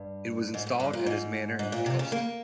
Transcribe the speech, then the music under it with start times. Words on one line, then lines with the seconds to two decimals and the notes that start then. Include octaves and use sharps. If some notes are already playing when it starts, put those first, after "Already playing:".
It was installed at his manor in Kelston.
Already playing: G2
0.54 G#2
0.67 G2
0.80 G2
0.93 A#2
1.06 G#2
1.59 G#2
1.72 A#2
1.86 C3
1.99 C#3
2.12 A#3